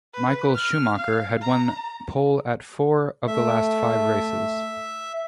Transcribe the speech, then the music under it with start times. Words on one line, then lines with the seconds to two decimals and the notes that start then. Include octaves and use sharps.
Michael Schumacher had won pole at four of the last five races.
0.14 B4
0.55 F6
0.98 F5
1.42 A#5
3.27 A3 E5